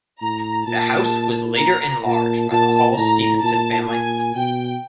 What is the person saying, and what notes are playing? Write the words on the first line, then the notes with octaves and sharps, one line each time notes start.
The house was later enlarged by the Hall-Stephenson family.
A2 A#5
A#2 A5
A#5
A#2 A5
A#2 A5
A2 A#5
A#2 A5
A#2 G#5
B2 G5